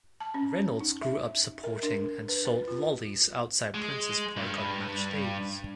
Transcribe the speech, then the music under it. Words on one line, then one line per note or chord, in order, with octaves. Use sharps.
Reynolds grew up supporting and sold lollies outside Princes Park on match days.
A5
C#4
D#4
E5
A#4
D4
B4
B4
F4
G#3
G2